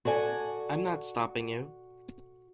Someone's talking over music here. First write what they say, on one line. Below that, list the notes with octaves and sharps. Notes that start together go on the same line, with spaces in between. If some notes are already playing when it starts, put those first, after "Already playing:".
I'm not stopping you!
F#4 A4 D5 G#5